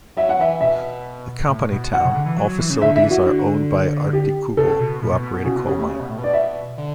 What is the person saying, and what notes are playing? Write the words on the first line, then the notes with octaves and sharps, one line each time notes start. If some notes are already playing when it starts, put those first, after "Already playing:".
A company town, all facilities are owned by Arktikugol, who operate a coal mine.
F#3 E5
F#5
E3 E5
B2 E5
A2
B2
B2 F#5
C#3
D3
E3
F#3
F#3
E3
C#3
D3 E5
E5
E3
F#4
D3
G4
C#3 A4
B2
A2
B2
B2
B2
C#3 F#4
B2
C#3 G4
A2
C#3
B2
A2
B2
D5
E5
D3